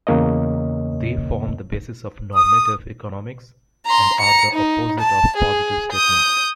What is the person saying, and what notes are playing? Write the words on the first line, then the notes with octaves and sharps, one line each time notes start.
They form the basis of normative economics, and are the opposite of positive statements.
E2 C#3 A#3 C#5 D#5
D#6
A#5 C6
A#5 C#7
D#4
A5
G#4
D#6 G6